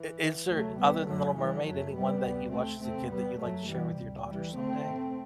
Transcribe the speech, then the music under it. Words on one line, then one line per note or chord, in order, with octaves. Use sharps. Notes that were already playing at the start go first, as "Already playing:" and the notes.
i is there other than Little Mermaid, anyone that you watched as a kid that you'd like to share with your daughter someday?
Already playing: E3
D2 C3 F#3 A3
G3 B3
F#2 F#3 A3
E3 G3
F#2 F#3 A3
G3 B3
D2 C3
A3 C4
E2 C3 A3 C4
G3 B3
F#2 F#3 A3
E3 G3
D2 C3
E3 G3
D2 C3 A3 C4